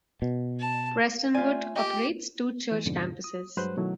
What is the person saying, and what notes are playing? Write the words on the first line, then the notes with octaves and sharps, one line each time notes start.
Prestonwood operates two church campuses.
B2
A5
A3 F4 G4 D5 G#5
G4 D#5 G5
E3 G#3
F2 G#2 B2 D3
D#6
G2 F#3 G#3 B4 C5 F#6
B2 D#3 F#3 A3 E4